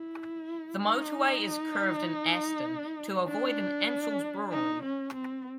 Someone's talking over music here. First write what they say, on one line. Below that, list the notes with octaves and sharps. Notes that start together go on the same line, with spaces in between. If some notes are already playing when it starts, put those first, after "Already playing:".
The motorway is curved in Aston to avoid an Ansells brewery.
Already playing: E4
D#4
D4
D#4
C#4
C4